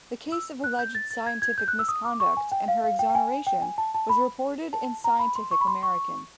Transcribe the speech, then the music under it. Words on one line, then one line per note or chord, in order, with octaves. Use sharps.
The case of alleged scientific misconduct and her exoneration was reported in "Scientific American".
E6
F#6
G6
A6
A6
G#6
G#6
G6
F#6
E6
D#6
D6
C#6
G#5
G5
F5
F5
G5
G5
G#5
G5
G#5
A5
A5
B5
A5
A#5
B5
C6
C#6
B5
C6
C#6